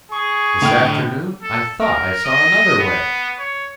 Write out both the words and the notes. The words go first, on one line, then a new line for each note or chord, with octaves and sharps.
This afternoon I thought I saw another way.
G#4 C#6
A2 D3 G5 F6
A4
A#4
D#5
B3
C#5